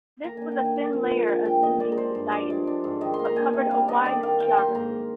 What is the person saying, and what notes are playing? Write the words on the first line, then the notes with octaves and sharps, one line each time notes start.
This was a thin layer of Indian society, but covered a wide geography.
A#3 A#5
D4 G#5
G5
D#3
G#5
D#3
F3
G#3
D4 G#5
A#2 G5
D#3 D#5
G#3 D5
A#4
D4 C5
G2
F3 D5
G#3
D4
G#2
D#3 D#5
C6
A#3
A#5
D4 G#5
C3
G3 F5
D4 D#5
D#3 D5
D#3 F5
D#3 G5
A#3 C6
G#2 A#5